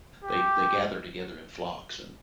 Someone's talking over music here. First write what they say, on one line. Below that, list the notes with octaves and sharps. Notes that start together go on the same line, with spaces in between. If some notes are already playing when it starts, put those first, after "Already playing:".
They they gather together in flocks and
G4